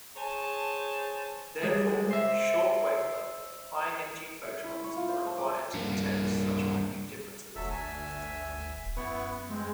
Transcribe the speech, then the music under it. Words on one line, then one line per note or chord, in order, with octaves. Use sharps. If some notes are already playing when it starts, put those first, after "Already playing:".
Therefore, short wavelength high energy photons are required to detect such minute differences.
G#4 C5 C#5 G#5 A5
G3 G#3
C5 E5
E5
E4
C#6
F4
C5
A5
D6
G2 A#3
F1 D2 F#3 A4 E5
G1 E5 G#5
D1
F#2 B3 E4 C#6
G#3 C4